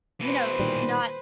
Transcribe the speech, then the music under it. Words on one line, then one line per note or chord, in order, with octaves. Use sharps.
you know, not
B2 E3 B4 C5
A#2 D#3 G3